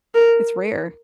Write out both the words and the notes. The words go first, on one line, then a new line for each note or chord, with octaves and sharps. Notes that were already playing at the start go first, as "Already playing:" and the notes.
It's rare.
A#4